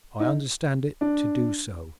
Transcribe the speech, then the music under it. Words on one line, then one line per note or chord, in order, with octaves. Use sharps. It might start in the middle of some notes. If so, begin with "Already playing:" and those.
"I understand it to do so."
D#4
D4